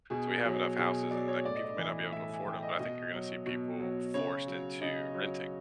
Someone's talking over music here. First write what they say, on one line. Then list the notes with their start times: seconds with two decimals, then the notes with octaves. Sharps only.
so we have enough houses and, like, people may not be able to afford 'em, but I think you're gonna see people forced into renting,
0.10 B2 G#4
0.45 F#3
0.78 B2 G#4
1.11 F#3 D5
1.28 C#5
1.45 A2 D5
1.55 D#5
1.64 D5
1.78 E3
2.12 A2 E5
2.29 G#5
2.45 E3 G5
2.63 D#5
2.79 B2 D#5
3.13 F#3
3.46 B2
3.80 F#3
4.14 C#3 C#5
4.47 F#3
4.81 C#3 D#5
5.14 F#3